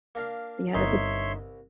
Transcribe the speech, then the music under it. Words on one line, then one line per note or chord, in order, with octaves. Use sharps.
Yeah, that's a
A#3 D4 F5
G1 C2 D#4 B4 C#5 E5 C6